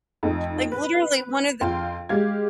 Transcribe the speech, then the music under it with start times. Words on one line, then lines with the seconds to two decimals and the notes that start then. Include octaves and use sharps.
Like, literally one of the
0.23 F2 A3 D#4
0.72 B4
1.61 F2 F4 F5 G5 C6
2.09 G#3 G4 F5 G#6